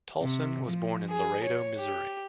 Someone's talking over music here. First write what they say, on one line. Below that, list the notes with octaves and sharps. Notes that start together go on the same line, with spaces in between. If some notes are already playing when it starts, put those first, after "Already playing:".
Tolson was born in Laredo, Missouri.
C3
F3
G#4
C#5
G4